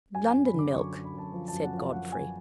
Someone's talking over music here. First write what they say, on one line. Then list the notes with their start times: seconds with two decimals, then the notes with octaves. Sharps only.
"London milk!" said Godfrey.
0.15 F#2 G#5
0.30 F#2 G#5
0.45 B5
0.54 D3 D6
0.74 F#2 C#6
0.94 F#2
1.04 B5
1.14 F#2 A5
1.33 F3
1.48 F#2 A5
1.63 F#5
1.73 F3 F5
1.92 F#2 F#5
2.12 F#2 G#5